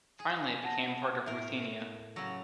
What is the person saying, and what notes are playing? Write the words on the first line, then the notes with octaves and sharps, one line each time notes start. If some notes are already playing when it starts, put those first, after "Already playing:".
Finally it became a part of Ruthenia.
G#4 G#5
F#5 A5 A#6
A2 A#4 E5
C#3 F#3 E6 A#6